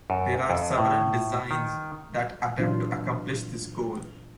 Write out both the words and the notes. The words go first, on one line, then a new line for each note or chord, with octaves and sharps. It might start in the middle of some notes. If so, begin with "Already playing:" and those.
There are several designs that attempt to accomplish this goal.
F#2
F2
A2
D#3
A#2 E3 F#3 D4 F4